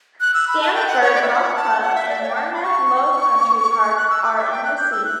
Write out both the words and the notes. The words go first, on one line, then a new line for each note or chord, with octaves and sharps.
Stamford Golf Club and Werneth Low Country Park are in the seat.
F#6
E6
B5
A5
G5
F#5
C#5
D5
E5
F#5
A5
F#5
E5
D5
C#5
G5
A5
B5
C#6
F#6
E6
D6
E5
G5
F#6
G6
E6
F#6